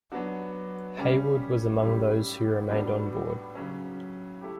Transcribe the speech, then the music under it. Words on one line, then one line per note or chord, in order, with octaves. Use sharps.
Heywood was among those who remained on board.
F#3 B3 D4 F#4
C#3 G3 C#4 G4
A2 G3 C#4 G4
A2 G3 B3 D4 F#4
C#3 F#3 C#4
A3 E4 G4